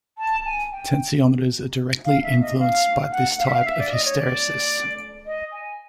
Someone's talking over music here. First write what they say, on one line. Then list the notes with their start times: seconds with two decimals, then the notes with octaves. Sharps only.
Tensiometers are directly influenced by this type of hysteresis.
0.18 A5
0.45 G#5
0.71 G5
2.05 F5
2.23 E5
2.41 D#5
2.59 F5
3.11 F#5
3.38 F5
3.46 E5
3.53 F5
3.65 E5
3.79 D5
3.91 D#5
4.05 C#5
4.18 D5
5.26 D#5
5.52 G#5